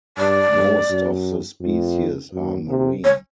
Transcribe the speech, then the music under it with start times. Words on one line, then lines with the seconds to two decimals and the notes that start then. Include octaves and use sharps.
Most of the species are marine.
0.18 G2 D5
0.53 G2
0.90 F#2
1.61 F2
2.32 F#2
2.68 C3
3.04 C#5